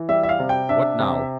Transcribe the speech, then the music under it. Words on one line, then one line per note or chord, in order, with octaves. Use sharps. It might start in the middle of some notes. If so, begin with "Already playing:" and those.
"What now?"
Already playing: E3
G3 E5
E5
F5
C3
G5
D4 E5
C3